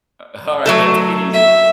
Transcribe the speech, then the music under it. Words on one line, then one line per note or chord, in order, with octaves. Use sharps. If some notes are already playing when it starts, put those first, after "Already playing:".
Uh, alright, man, take it easy.
F#3 A3 A4
E5